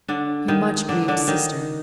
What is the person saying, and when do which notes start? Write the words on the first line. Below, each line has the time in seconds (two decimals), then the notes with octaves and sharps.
'Your much grieved sister.'
0.08 D3 D4
0.48 D#3 D#4
0.89 D3 D4
1.08 D3 D4
1.27 D#3 D#4